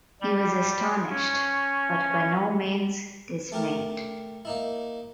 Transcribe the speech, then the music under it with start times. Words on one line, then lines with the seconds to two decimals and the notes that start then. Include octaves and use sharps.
He was astonished, but by no means dismayed.
0.21 G3
1.10 C#4
3.52 A3 G4 A#4
4.45 A#3 D#4 E4